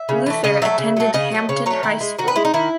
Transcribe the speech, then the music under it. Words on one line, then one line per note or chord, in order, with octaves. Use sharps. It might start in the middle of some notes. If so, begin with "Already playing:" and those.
Luther attended Hampton High School.
Already playing: E5
C#3
E3 A3
C#3 D#5
F#3 A3 E5
C#3
F#3 A3
C#3 D#5
F#3 A3
C#3 C#5
F#3 A3 C#5
D#3 E4
G#3
D#3 F#4
B4
G#3 E4
D#4
D#3 E4